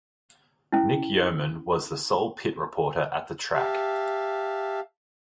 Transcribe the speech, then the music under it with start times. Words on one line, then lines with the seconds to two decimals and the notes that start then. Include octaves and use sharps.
Nick Yeoman was the sole pit reporter at the track.
0.72 C#4 E4
3.54 G4 E5 F5 A5